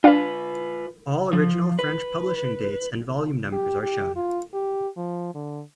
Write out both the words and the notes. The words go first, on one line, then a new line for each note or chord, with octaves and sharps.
All original French publishing dates and volume numbers are shown.
D4 F4 B4 F5
F3
B4
G4
G4
F4
G4
F3
D3